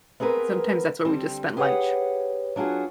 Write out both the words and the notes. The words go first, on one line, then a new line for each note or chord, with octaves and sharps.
Sometimes that's where we just spent lunch.
B3 C4 G#4 A#4 B4
D3 G3 C4
G4 G#4 B4 C#5 E5 F#5
F#3 D4 F4 F#4 G#4